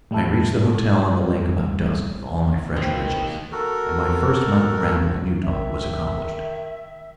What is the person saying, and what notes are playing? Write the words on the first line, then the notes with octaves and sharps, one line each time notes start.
I reached the hotel on the lake about dusk with all my fresh riches, and my first mountain ramble in Utah was accomplished.
A2 G3 E4 A4
B2 D#3 A#3 C4
F#4 A4 A#4
D#3 E5